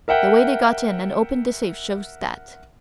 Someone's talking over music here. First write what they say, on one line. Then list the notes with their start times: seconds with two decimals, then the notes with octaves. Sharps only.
The way they got in and opened the safe shows that.
0.08 A#4 E5 F#5 G5